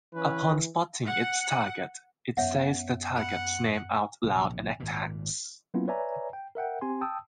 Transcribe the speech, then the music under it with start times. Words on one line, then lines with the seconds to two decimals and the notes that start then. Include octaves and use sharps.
Upon spotting its target, it says the target's name out loud and attacks.
0.13 E3 C#4 B4
1.05 F#5
2.37 F#2 B3 C#5 E5 F#5
3.15 F#5 B5
4.23 A#1 C3
4.80 G#1 A#2
5.74 F#3 A#3 B3 C#4 E4 F4
5.88 B4 C#5 D5 E5 G#5 A#5
6.33 G5
6.55 A#4 E5 F#5 G5
6.81 C4 G4 G#5 C6
7.01 G5 A5 D#6 E6